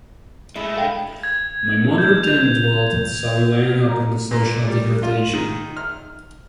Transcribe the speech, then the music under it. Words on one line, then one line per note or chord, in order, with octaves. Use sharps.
My mother then dwelt at some length upon the social degradation.
G#3 A3 E4
G#3 D4 A4 F5 G5
G#6
G6
G6 F7
A#4
A#2
G3
F4
D#3
F6